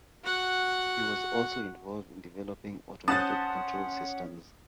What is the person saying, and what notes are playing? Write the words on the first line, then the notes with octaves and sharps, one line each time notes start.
He was also involved in developing automated control systems.
F#4 F#5
C#4 C5 F#5 A5 D#6 F#6 A6